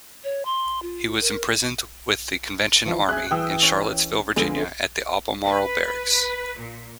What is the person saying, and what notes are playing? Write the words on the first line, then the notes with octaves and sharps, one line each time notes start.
He was imprisoned with the Convention Army in Charlottesville, Virginia at the Albemarle Barracks.
C#5
C6
F4
A#4
E3 F3
G#4 E5 G#5 F#6
E3 G#4 G5 D#6 E6
C#4 C#5
F2 D3 G#3 B3
B4
A#2